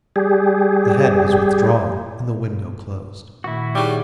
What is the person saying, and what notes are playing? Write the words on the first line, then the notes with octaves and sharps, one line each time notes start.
The head was withdrawn and the window closed.
G3 G4 G#4
A#2 D#3 A3 E4 F#4
A2 F#3 G3 D#4 G#4 C#5